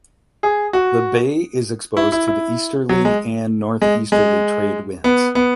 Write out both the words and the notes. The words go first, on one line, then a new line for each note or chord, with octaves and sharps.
The bay is exposed to the easterly and northeasterly trade winds.
G#4
F#4
E4
E4
E4
F#3
G#3
G#3
G#3
B3
B3